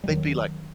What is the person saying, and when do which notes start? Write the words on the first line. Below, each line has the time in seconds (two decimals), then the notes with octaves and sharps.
They'd be like
0.04 G3
0.08 E2 D#3 F#3